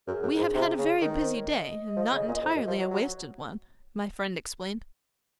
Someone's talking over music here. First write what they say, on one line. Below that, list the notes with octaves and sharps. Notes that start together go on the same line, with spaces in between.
"We have had a very busy day, and not entirely a wasted one," my friend explained.
F#2 G#4
F#2
G#2
C3
C#3
D#3 A#4
C5
C#5
D#5
F3
C#3
A#2
F2
F#2
F3
F#3
F#3 C#5